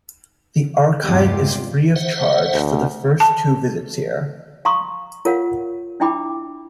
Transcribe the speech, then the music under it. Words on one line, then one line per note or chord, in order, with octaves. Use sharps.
The archive is free of charge for the first two visits here.
E2 G2 C3 G#3 F4 G4
C5 E5 F#5
D2
A5
F5 A#5 C6 C#6 D#6
F4 A#4 C#5 F5 F#5
D4 E4 E5 G5 B5 D6